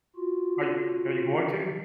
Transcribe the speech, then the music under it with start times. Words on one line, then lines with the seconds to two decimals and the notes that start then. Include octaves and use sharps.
Are you are you going to?
0.16 F4 F#4